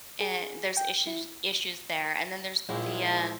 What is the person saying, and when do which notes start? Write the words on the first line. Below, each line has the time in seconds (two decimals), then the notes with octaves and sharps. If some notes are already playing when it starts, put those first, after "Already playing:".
and there's issues issues there. And then there's the, uh,
0.20 G#4
0.77 G5
1.07 E4
2.69 A#1 G#3 E4 C5